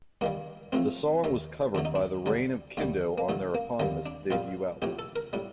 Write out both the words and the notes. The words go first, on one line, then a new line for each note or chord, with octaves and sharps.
The song was covered by The Reign of Kindo on their eponymous debut album.
G2 D#3 G3 A#3
A1 A2 F3 A3 C4
D#2 D#3 A3
D#2 D3 A3 D4
D#4
D4
D2 D3 G3
D#2 D3 G3 A3
A#3
A1 G2 D3 A3
A#3
D#2 D3 G3 A#3
D4
A#1 A#2 G3 F4
A#1 A2 A3 G4
A4
A#4
A2 G3